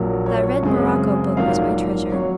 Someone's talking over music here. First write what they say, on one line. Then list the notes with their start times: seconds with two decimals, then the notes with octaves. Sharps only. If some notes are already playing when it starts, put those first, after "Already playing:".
That red morocco book was my treasure.
Already playing: A#1 A#2 F#3 A#3
0.26 C#5
0.63 F#2 C#3 G#3 C4
1.37 A#1 G#2 F#3 A#3 F5
2.12 F#3 C#5